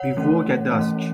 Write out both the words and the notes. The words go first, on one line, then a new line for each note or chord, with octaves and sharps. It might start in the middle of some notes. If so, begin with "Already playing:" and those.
We woke at dusk.
Already playing: C#5 F#5
E3 A3 C#4
E3 A3 C#4